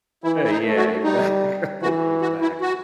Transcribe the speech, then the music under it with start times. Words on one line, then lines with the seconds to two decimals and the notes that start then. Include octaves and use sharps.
Eh, yeah. Exactly, exactly.
0.24 E3 E4
0.43 E4
0.50 D#4
0.64 A3
0.76 F#4
1.03 G3 D#4
1.82 E3 F#4
2.22 F#4
2.41 E4
2.61 F#4